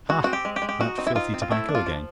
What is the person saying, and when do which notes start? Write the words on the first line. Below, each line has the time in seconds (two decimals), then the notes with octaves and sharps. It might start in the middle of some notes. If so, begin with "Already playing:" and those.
Ha! that filthy tobacco again!
0.09 G#3 F#4
0.24 C4 F#4
0.33 G4
0.45 G#3
0.56 G4
0.62 G#3
0.69 G4
0.81 D#4 F#4
0.98 C4 D#4
1.07 E4
1.15 D#4 F4
1.34 C4
1.42 F4
1.51 A3 E4
1.69 D4
1.75 F4
1.86 F3